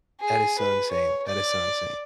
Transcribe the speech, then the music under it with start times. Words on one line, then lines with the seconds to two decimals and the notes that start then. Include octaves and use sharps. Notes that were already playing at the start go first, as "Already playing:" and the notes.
That is so insane. That is so insane.
0.20 G#4
0.59 B4
0.91 C#5
1.27 D5